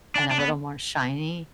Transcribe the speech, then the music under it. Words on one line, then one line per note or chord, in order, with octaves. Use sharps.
and a little more shiny,
D4
D4
B3